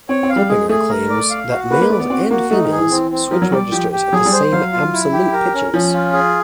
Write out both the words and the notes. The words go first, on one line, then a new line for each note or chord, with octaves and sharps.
Clippinger claims that males and females switch registers at the same absolute pitches.
C4 C#5
C4
F5
G3
G#3 G#4
A3 G#4
A#4
D5
F5
F#4
A#3 B4
A#3
A3 D5
B3
C4 F#4
A#3 F#4
A3 D#4
D#3
G#4
E3
E3 C4
C4
F3 A#4
F#3
G3 D5
F3 G4
G4
F#3 G#4
G3
C5
F#3 F5
F4
E4
G4
A#4
C#4
F3 C#4
F4
G#4